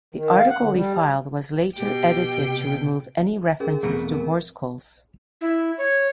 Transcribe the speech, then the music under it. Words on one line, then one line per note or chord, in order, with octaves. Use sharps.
The article he filed was later edited to remove any reference to horse culls.
D#3
F5
F#5
D3
G3
B2 G4 G5
C3
C#4 G#4 A#4
E2 B2 A3 C4 G#4
A#4
E4
C#5